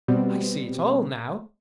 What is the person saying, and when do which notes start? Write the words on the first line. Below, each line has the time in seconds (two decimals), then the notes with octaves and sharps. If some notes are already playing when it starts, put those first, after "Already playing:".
I see it all now.
0.08 B2 G3 B3 C4